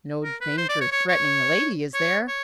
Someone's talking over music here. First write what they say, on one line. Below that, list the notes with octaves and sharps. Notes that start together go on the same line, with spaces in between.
"No danger threatening the lady, is there?"
A#4
B4
C5
D5
C#5
C#5
C#5
C#5
C#5